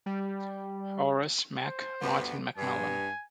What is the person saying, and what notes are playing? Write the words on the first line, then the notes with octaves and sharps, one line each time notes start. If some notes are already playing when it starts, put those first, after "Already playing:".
Horace "Mac" Martin McMullen.
G3
C5
D2 G2 B3
G2 G#5